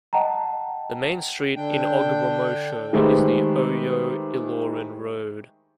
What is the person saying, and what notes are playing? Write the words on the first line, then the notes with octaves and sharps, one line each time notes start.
The main street in Ogbomosho is the Oyo-Ilorin road.
D#5 F#5 G5 A5 A#5
D3 D4 G5
D#3 G#3 A3 G4 B4 C5